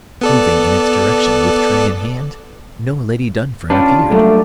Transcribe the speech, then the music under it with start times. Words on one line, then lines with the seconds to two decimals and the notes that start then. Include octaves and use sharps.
Moving in its direction with tray in hand, no Lady Dunfern appeared!
0.21 B3 A4 D5
3.70 C#4 D4 F4 G4 B4
4.11 F#3 G3 A3 A#3